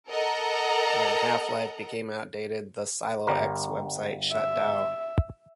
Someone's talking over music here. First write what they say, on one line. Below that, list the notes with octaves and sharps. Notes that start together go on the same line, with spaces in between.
When "Half-Life" became outdated the "Silo X" website shut dow.
A4 A#4 D#5 F#5 A#5
G1 G3 A#4
E5